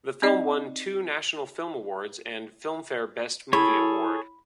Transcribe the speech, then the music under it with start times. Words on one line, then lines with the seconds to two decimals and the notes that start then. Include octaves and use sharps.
The film won two National Film Awards and Filmfare Best Movie Award.
0.22 C4 D#4 D5 D#5
3.53 E4 G#4 A4 C#5 B5